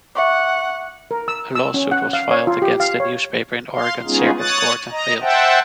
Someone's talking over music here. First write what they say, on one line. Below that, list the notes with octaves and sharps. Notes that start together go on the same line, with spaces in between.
A lawsuit was filed against the newspaper in Oregon Circuit Court and failed.
E5 F#5 C#6 D6
A#4
E6
E6
C#4
F#5
F5
C#5
F4
G4
F5
C#5
F5 C6
G#3 B3 C#4 D#4 F4 G#4
C#5 D#6 F#6 A6
D#5 A#5
C5 E5 F#5 G5 A5